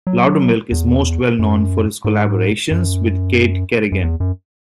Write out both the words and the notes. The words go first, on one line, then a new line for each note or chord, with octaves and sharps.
Lowdermilk is most well known for his collaborations with Kait Kerrigan.
F#3
E2
F#2
G#2
F#2
F#2
E2
F#2